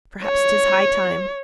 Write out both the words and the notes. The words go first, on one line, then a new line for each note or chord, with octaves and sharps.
Perhaps 'tis high time.
C#5